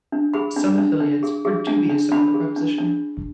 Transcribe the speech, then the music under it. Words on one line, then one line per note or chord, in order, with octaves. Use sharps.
Some affiliates were dubious about the proposition.
D4
G#4 B5
D4
D4
D4
G#4
G#4
D4
D4
D4 B5
G#4
D4
D4